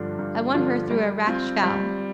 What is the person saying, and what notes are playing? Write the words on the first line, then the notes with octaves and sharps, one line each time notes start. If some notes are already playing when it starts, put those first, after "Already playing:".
I won her through a rash vow.
Already playing: G2 D3 F3 D4 F4
G2
D3 F3 D4 F4
G3
C4 F4
G3